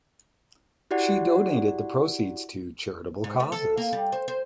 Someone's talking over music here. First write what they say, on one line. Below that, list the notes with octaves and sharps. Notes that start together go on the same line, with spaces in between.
She donated the proceeds to charitable causes.
E4 F#4 G4 D5 F#5
G#2
A3
A4
A#3
G3
C5
C5